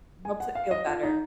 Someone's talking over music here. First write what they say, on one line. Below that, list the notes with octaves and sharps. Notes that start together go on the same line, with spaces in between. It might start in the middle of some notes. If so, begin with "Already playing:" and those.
helps it feel better.
G#5
F#5
F5
D#5
F4
D#4